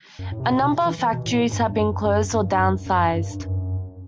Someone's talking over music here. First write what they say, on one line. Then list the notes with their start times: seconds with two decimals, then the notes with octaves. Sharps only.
A number of factories have been closed or downsized.
0.19 F#2
0.32 A2
0.40 C3
0.45 B2
0.59 C3
0.85 E3
0.99 E3
1.13 B2
1.26 A2
1.52 G2
1.79 F#2
2.06 F#2
2.32 G2
2.59 F#2
2.86 F#2
3.12 G2
3.40 F#2